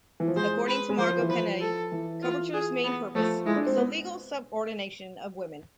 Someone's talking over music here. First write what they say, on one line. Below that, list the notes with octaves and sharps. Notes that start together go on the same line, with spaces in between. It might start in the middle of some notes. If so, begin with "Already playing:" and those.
According to Margot Canaday, coverture's main purpose ... was the legal subordination of women.
E3
F3
G#3 C5
B4
G#3
F3 C5
F3
E3
F3 B4
A4
E3
F4
G#4
B3
F3 A3
G#3 E4
D4
C4
B3